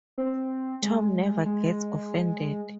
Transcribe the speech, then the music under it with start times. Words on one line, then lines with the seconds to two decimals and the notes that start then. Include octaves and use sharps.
Tom never gets offended.
0.18 C4
0.82 G#3
1.46 G#3